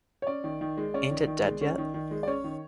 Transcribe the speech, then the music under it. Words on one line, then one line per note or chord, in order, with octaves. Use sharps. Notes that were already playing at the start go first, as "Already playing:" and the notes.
Ain't it Dead Yet?
C#5
C#4 D5
D#3
D#3
G#3
C#4 D5
D#3
D#3
G#3
C#4
D#3
D#3
G#3
D5
C#4 C#5
D#3